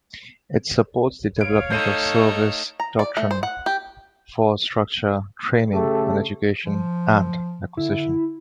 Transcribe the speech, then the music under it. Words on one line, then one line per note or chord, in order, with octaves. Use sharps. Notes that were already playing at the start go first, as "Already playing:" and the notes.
It supports the development of service doctrine, force structure, training and education, and acquisition.
C#5 F5 D7
A3 D#4 G6 C7 D#7
A#5
D5
A3
C5
F#5
G4
C#3 A3 G4 A4
F3
D3 E4